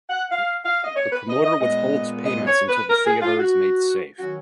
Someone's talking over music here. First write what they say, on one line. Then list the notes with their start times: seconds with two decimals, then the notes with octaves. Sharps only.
The promoter withholds payments until the theatre is made safe.
0.10 F#5
0.32 F5
0.64 F5
0.84 D#5
0.96 C#5
1.12 B4
1.29 D#5
1.44 D#5
1.60 A#2 G#3 B3 D#5
2.25 D#5
2.47 C#5
2.68 B4
2.90 A#4
3.06 G#4
3.22 F4
3.39 F#4
4.19 D#3 F#3 C#4 F#4